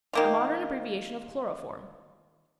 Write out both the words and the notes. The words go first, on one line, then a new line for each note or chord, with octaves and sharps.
A modern abbreviation of chloroform.
D#3 A#3 F4